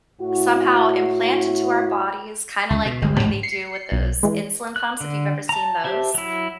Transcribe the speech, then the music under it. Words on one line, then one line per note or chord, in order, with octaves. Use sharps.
somehow implant into our bodies, kinda like the way they do with those insulin pumps if you've ever seen those,
A2 E4 F#4
C#2
B2
G1 D2 G#3
A1 D2 G#2 G#3
C7 C#7
B1
E3 G#3
F#6
D3
A5 A#5
G4 C5 E5 A5
F#3 E4